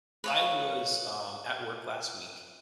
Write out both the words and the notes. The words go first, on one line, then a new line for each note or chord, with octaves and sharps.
I was, um, at work last week,
B4 C#5 F5